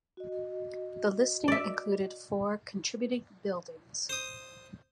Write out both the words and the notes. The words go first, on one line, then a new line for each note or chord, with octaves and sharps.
The listing included four contributing buildings.
F#4 D#5
D5 E5
C5 D#6